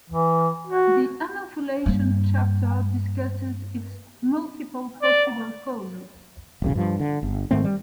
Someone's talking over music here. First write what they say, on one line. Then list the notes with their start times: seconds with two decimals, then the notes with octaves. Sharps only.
The anovulation chapter discusses its multiple possible causes.
0.10 E3
0.67 F#4
1.86 G2 A#3
5.02 D5
6.62 D#1 B1 C#3
6.75 G2 F3
7.00 D3
7.23 G1
7.51 G#2 D#3 A3 C4
7.64 G3